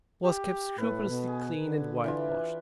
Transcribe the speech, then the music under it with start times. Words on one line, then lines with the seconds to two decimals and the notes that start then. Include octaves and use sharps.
It was kept scrupulously clean and whitewashed.
0.22 G4
0.78 A2 A4 B4
1.08 B2
1.27 G#4
1.58 D3
2.04 E3 D4 F4